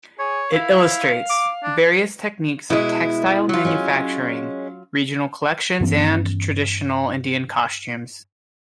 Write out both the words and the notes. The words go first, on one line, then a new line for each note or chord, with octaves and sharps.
It illustrates "various techniques of textile manufacturing, regional collections and traditional Indian costumes".
G#4 C#5
E4 F5
D6
D4
B2 G#3 E4
F#3 F4
G#3 C#4
G2 E3 B3 C#4